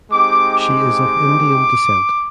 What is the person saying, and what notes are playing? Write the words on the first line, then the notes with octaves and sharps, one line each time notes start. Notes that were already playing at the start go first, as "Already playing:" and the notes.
She is of Indian descent.
G#3 C4 D#4 G4 D6
D6